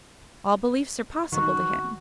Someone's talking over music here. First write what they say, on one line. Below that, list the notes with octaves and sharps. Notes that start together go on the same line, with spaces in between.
All beliefs are possible to him.
D#3 F#4